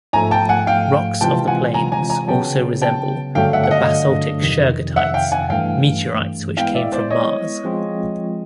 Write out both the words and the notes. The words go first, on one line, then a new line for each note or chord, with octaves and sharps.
Rocks of the plains also resemble the basaltic shergottites, meteorites which came from Mars.
G#2 F3 A3 G#5 A#5
G5 A5
F#5 G#5
F5 G5
C3 E3 G#3 C4 F4 G5 A5
F#5 G#5
G#5 A#5
G#5 A#5
G#5 A#5
C#3 F#3 B3 G5 A5
G5 A5
G2 D3 F#3 A3 D4 F5 G5
E5 F#5
F#5
D#5 F5
F2 C3 D#3
E5 F#5
F5 G5
F#5 G#5
G2 E3 A3 F5 G5
G#3 B3 E4 F5 G5
D5 E5
C5 D5
C#5 D#5
F3 G#3 C4 F4